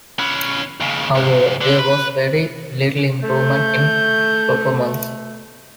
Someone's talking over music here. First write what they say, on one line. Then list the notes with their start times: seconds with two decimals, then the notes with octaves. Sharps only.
However, there was very little improvement in performance.
0.19 C#4 B4
0.81 D#2 C#3
1.15 C#2 G#2
1.61 D3
1.79 B4
3.23 A3 G6